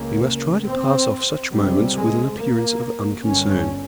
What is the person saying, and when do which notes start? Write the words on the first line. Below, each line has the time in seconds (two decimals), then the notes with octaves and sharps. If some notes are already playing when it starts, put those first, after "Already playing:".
We must try to pass off such moments with an appearance of unconcern.
Already playing: C#2 C#3 A#3
0.66 C4
1.53 C#2 C3 G3
1.97 G#3
2.39 A#3
3.26 G1 G2 C#4